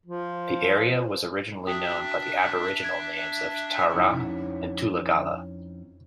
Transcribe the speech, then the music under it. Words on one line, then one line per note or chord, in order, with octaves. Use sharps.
The area was originally known by the Aboriginal names of Tar-ra and Tullagalla.
F3
D4 F#4 E5 G5 D#6
G#6 D7
F2 C#4 D#4 E4 C#5 F#5